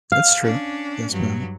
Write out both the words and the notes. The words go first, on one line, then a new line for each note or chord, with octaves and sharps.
It's true. Yes, ma'am.
F5
C#4 D4
G2 F#3